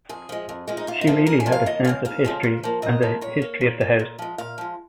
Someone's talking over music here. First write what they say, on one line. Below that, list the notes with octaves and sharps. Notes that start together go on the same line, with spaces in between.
She really had a sense of history and the history of the house.
F2 G#4
F3 G#3
F2
F3 G#3
D#4
G#2 F4
D#4
F3 A#3 F4
G#2 A#4
G#5
F3 A#3
F5
D#2 D#5
C#3 F3 G#3 F5
D#2 F5
C#3 F3 G#3
A#2
F3 A#3
A#2 D#5
F3 A#3
A#2 C#5
A#3
A#2
A#3
A#2
F3 G#3
A#2 F5
F3 G#3